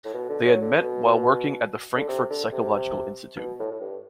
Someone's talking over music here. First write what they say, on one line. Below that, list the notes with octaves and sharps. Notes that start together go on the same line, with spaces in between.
They had met while working at the Frankfurt Psychological Institute.
A2
B2
D3
F#3
D3
B2
D3
C3
D3
C3
B2
A2
A2
G2